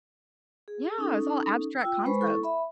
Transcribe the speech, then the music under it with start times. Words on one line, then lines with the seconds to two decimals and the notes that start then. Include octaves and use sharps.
Yeah, it's all abstract concepts.
0.68 G#4
0.98 C#4 D#4 A4
1.81 F4 G5 E6
2.06 G#3 B4 C5 B5 C#6
2.21 E4 A4 C#6
2.43 E5 B5